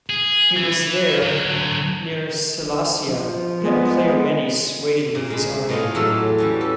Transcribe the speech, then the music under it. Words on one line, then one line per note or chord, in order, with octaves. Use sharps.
It was there, near Sellasia, that Cleomenes waited with his army.
G#4
E3
D3 F#3
F3
G#3 B3
A#2
G#3 B5
A2 G#3 D#4 F4
E2 A2 F#3 F4 A4 E5
E3 G3 C#4
A4